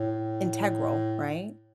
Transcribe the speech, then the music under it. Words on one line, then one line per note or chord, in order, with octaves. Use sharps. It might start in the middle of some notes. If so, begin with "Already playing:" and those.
integral, right?
Already playing: A2